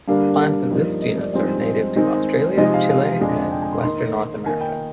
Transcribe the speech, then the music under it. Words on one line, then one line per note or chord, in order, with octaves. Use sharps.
Plants of this genus are native to Australia, Chile, and western North America.
G2 D3 G3 A#3 D4 F5
G2 F3 A#3 D#4
D#5
D5
G2 F3 G#3 C4 D#4 D#5
D#3 G#3 C4 D#4
C3 F3 G#3 D#4 D#5
F5
F5
F2 D3 G#3 D4
G5
G#5
C6
D#3 A#3 D#4 C6
D#3 A#3 D#4 G#5
G5